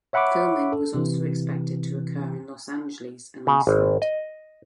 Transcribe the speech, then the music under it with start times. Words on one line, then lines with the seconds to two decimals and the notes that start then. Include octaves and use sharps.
Filming was also expected to occur in Los Angeles and Iceland.
0.13 C#5 E5 F#5 B5 C#6 D6
0.72 A4
0.94 C3 E3
3.47 C#3
3.67 G#1
4.02 D#5